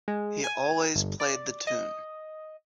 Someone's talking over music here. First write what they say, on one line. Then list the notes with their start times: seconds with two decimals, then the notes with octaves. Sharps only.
He always played the tune.
0.08 G#3
0.44 G#5
0.96 G1
1.20 D5
1.67 D#5